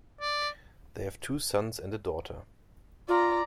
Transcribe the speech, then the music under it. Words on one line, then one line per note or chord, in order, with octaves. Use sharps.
They have two sons and a daughter.
D5
F4 D5 A#5